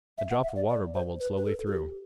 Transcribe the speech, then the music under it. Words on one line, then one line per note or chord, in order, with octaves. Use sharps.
A drop of water bubbled slowly through.
E5
F#5
E5
D5
D5
C5
B4
B4
A4
F#4
G4